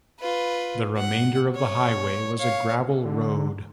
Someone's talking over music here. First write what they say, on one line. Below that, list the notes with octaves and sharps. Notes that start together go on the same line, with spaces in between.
The remainder of the highway was a gravel road.
F4 B4
F#5
C#5
C#5 F5
D3